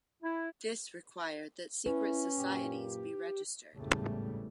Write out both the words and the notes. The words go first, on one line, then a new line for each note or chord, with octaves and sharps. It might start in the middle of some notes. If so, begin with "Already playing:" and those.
This required that secret societies be registered.
E4
C#4 E4 B4
F#2 A#2 G4
G#1 E2 A2 C#3 G3 A3